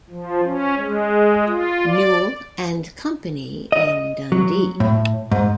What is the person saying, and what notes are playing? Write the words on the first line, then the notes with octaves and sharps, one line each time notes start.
Newall and Company in Dundee.
F3
C#4
G#3
F4
D5
D#5
F#3
A2
G#2